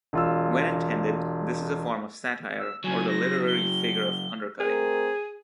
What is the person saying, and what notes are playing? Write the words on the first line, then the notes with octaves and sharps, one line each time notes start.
When intended, this is a form of satire or the literary figure of undercutting.
E1 F4 E6
E6
C#3 F#3 G#5
A#6
G7
A3 C4 G#4 A#4